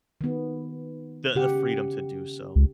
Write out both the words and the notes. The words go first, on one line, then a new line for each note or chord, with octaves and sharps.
the the freedom to do so.
D#3 B3
C#3 G4 F#5
C#2